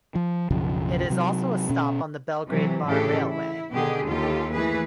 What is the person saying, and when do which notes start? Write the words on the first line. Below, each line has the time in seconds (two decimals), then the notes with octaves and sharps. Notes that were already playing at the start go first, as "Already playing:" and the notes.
It is also a stop on the Belgrade - Bar railway.
0.15 F3
0.50 B1 F#2 C#3 F3
1.10 C3 F#3
1.69 B2 C#4
2.47 C3 E3 F#3
2.86 A2 C#3 E3 D4 G4 A4
3.27 E4
3.71 B2 D3 D#3 B3 G4 G#4
4.06 D#2 D#3 F4 G4 A4
4.52 E3 A3 A#3 G#4 B4